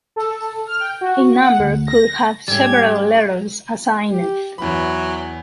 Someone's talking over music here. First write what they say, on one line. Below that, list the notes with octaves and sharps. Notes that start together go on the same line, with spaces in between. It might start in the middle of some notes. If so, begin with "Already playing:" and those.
A number could have several letters assigned.
A4
F6
G5
F#4
F#5
D2
A#6
G#2 G3 A3 C#4 G4 G#6
G4
E2 E3 F#3 B5